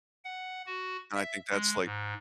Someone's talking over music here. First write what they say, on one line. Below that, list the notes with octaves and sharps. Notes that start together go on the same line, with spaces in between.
And, I think that's like
F#5
F#4
E5
G#3
G#2